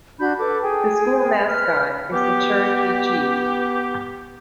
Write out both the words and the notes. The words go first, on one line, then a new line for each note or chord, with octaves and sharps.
The school mascot is the Cherokee Chiefs.
D4 F#4 B5 G6
A4 B4 D6
G#4 G5
B4 F6
B3 G4